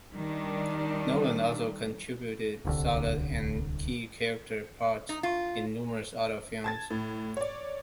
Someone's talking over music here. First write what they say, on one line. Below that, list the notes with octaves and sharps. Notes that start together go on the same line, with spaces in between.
Nolan also contributed solid and key character parts in numerous other films.
D#3 G3 D4
D1 C2 D3
D#4
F4
A5 G#6 A6
A2
C#5 D5